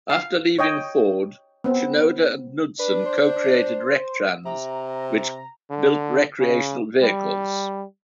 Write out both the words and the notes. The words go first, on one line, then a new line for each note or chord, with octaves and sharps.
After leaving Ford, Shinoda and Knudsen co-created Rectrans, which built recreational vehicles.
F5
C#5 D#5 G5
B3 C4
D4 B4
C5
C3 A#5
D3
C#3
G3